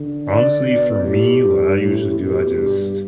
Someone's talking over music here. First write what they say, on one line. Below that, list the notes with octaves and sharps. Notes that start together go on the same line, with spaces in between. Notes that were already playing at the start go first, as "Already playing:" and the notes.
Honestly, for me, what I usually do, I just
Already playing: D3
D5
B2
A2 G4
G2
A2 G4
E4
G4
E4
B2 G4
G2